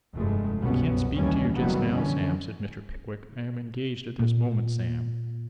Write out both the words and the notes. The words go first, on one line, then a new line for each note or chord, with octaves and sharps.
'I can't speak to you just now, Sam,' said Mr. Pickwick. 'I am engaged at this moment, Sam.'
F1 G2 G#3 A3
G1 C2 F#2 B2 B3 C#4
D#2 E3 G3 C#4
F#1 D#3 F#3 G3 A#3 B3
F2 D3 E3 C#4
A#2